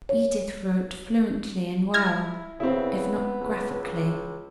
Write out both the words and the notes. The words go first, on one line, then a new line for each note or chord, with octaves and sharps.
Edith wrote fluently and well, if not graphically.
C#5
E4 F6 G#6 A#6
C#3 B3 C4 E4
C#2